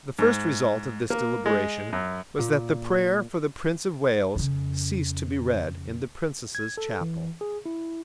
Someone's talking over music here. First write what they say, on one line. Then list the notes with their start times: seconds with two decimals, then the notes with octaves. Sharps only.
The first result of this deliberation was that the prayer for the Prince of Wales ceased to be read in the Princess's chapel.
0.19 G#2
1.10 A#3
1.46 G#3
1.93 F#2
2.39 A#2
4.35 F2 C#3
6.55 G#6
6.78 A4
7.01 E3
7.41 G#4
7.66 E4